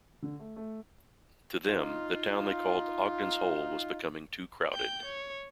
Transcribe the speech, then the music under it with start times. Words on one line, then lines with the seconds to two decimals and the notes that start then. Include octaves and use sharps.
To them, the town they called "Ogden's Hole" was becoming too crowded.
0.23 D3
0.40 A3
0.56 A3
1.66 D#4 F4
4.72 G5 G6
5.05 C#5